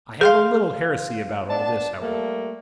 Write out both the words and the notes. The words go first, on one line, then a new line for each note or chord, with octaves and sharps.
I have a little heresy about all this, however.
G#4 F5 C6 F6
B3 D4 A5
G3 A3 A#3